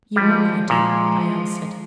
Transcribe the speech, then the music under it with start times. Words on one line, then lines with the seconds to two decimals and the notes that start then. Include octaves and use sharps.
'You know I do,' I answered.
0.16 F3 G3 G#3
0.69 A#2 F3 G#3